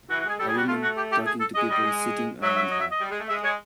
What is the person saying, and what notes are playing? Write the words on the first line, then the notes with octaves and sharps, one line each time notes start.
A woman talking to people sitting around her.
E3 F#4
F#4
G#3 G#4
G3 A4
G#4
G3 F#4
A3 F4
F#4
G4
G4
G#4
A4
G#3 D#5
G3 D#5
G#3
F#3 E5
E5
D#5
E5
D#5
G3
G#3
A3
G#3 E5
G#3 C#5